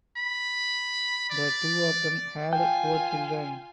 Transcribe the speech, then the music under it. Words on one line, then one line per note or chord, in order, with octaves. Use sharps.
The two of them had four children.
B5
D5
F4 G5 G#5